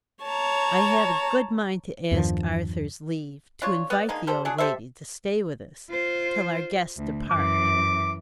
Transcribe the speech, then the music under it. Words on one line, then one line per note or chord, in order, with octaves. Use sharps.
I have a good mind to ask Arthur's leave to invite the old lady to stay with us till our guests depart.
C#5 A5 A#5
E2 G2 D#3 F3
D4 F4 C#5
B3 D5
D3 G#3 A#3 D#4
A#3 G4 A4 C5
F#3 D4 G#4
G4 A4 C5 E5
F4 C5
D2
F#2 E3 D6